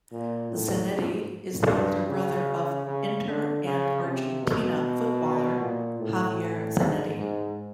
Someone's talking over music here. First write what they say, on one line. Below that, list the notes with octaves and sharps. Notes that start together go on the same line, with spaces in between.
Zanetti is the older brother of Inter and Argentina footballer Javier Zanetti.
A#2
A2
G#2
G2
C#3
C#3
D3
C#3
C3
B2
A#2
A2
G#2
G#2